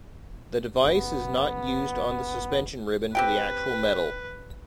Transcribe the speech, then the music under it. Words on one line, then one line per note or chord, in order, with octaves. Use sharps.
The device is not used on the suspension ribbon to the actual medal.
F#1 B3
C4 G4 B4 G5